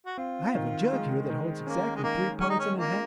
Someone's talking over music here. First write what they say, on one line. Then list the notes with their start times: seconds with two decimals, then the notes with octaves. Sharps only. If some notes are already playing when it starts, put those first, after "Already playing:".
I have a jug here that holds exactly three pints and a half.
0.06 F#4
0.18 C4 F4
0.55 D#3
0.93 G#3
1.30 D#3
1.67 A#3 C#4
1.96 G#3
2.04 D#3 A#3
2.40 G#3 C#4
2.50 D#4
2.59 C#4
2.78 A#3 F4